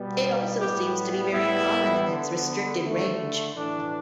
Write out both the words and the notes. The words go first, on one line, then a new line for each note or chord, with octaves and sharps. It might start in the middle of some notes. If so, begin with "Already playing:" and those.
It also seems to be very common in its restricted range.
Already playing: B2 G3 B3
A2 G3 B3 G4
A2 G3 B3 E4
D3 B3
D3 A3
A2 E3 A3 D4